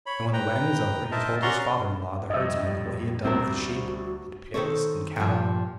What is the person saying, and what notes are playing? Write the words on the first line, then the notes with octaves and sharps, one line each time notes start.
And when the wedding was over he told his father-in-law, the herdsman, what he had done with the sheep, and pigs, and cattle.
C#5 B5
B4 G5 A#5
A#4 C5 D#5 E5 A5
C#4 F#4 D5 A#5 C6 C#6
F2 A2 G3 D#5 E5
D2 G3 C4 E4 F#4 A#4
D#3 F#4 A4 C5 C#5
G2 A#2 F3